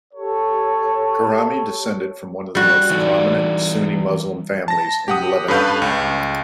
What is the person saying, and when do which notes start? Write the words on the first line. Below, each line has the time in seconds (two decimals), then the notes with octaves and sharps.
Karami descended from one of the most prominent Sunni Muslim families in Lebanon.
0.13 G4 A4 C#5
2.55 G3 F#4
2.91 E3 D#4 D5
4.68 A5 A#6
5.08 G4 F#5 D#6
5.48 G2 C#4 A4 B4 F5 G6
5.82 C#2